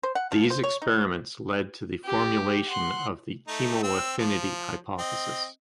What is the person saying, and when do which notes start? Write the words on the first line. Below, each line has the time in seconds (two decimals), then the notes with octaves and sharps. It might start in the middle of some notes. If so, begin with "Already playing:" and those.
These experiments led to the formulation of the Chemoaffinity hypothesis.
0.03 C5
0.15 F#5
0.32 F3
0.50 C5
0.64 C#5
0.82 D#4
2.05 G4
2.66 F#5 C6
3.48 A3 D#4
3.83 C4 E6
4.18 F3
4.99 C4 D#5